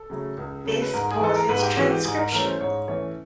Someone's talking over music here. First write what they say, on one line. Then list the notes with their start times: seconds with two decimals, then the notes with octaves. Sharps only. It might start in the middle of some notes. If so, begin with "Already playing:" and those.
This pauses transcription.
Already playing: A4
0.10 C#3 F#3 A3
0.37 C#2
0.65 C#3 F#3 A3
0.82 B4
0.94 G#2 A#4
1.11 G#4
1.21 E3 G#3 A4
1.36 A#4
1.49 G#2 B4
1.63 G4
1.76 E3 G#3 F#4
1.91 G4
2.05 G#2 G#4
2.19 A#4
2.32 E3 A3 C#4 A#4
2.46 C5
2.61 G#2 C#5
2.88 E3 A3 C#4 C#5